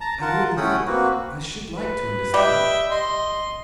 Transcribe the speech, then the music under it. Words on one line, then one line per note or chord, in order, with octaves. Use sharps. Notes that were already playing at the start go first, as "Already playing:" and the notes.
"I really think I should like to understand."
A5 A#5
F4 A#4 F#5 A5
A3 C#4 E4 F#5 G5 D#6
A#3 C4 F#4 B4
B4
G3 D#5 E5 G5
D#5 C6